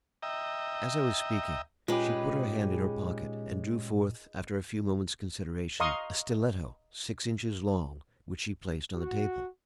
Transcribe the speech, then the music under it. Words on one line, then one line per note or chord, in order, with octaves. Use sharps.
As I was speaking, she put her hand in her pocket and drew forth, after a few moments' consideration, a stiletto six inches long, which she placed on the table.
D#5 E5 G5 A#5
A#2 G#3 C#4 D#4 F4 G4 G#4 B4
D#5 F5 A#5 C6 C#6 D#6
F#4